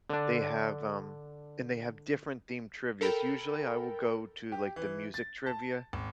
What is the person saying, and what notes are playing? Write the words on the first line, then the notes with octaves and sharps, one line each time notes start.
They have, um and they have different themed trivias. Usually, I will go to, like, the music trivia.
D3 D4
A4 A#4 G5 B5
G4
E3
A6
A5
G#1